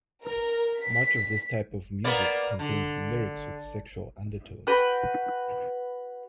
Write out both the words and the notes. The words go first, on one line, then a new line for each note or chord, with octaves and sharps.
Much of this type of music contains lyrics with sexual undertones.
A#4
B6
A#3 B3 D5
D3
F#4 B4 G5